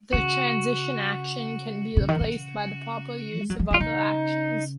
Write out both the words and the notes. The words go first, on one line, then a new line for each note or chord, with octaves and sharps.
The transition action can be replaced by the proper use of other actions.
C#3 F#4
C#3
D#3
C#3
G#3
F#3
F3
D#3 F4
C#3 D#4